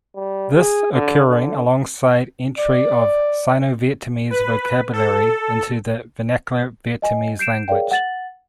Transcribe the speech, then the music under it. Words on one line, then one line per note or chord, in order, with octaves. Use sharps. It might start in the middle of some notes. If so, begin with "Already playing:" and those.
This occurring alongside entry of Sino-Vietnamese vocabulary into the vernacular Vietnamese language.
G3
G#4
D3
D3
D5
B4
A4
D#5 G#5
G6 C7 D7 E7
G#4 A#4 C#5 D5 F5 G5
F#5 A6 F#7